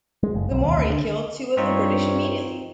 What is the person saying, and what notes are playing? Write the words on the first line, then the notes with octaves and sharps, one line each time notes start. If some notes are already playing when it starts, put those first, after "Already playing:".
The Maori killed two of the British immediately.
G#3
F#1
B1
D#2
D2
D3
G2 C4 D#4 F4 C#5